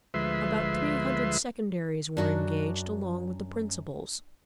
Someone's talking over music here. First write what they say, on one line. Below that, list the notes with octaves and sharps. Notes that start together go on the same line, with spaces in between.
About three hundred secondaries were engaged along with the principals.
D2 F3 G#3 B4 E5 C6
F#2 D4 F#4 A#4